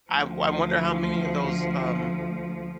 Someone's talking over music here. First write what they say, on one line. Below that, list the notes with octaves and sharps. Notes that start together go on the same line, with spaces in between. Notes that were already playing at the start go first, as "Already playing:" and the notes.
I'm I wonder how many of those, um
D2 F3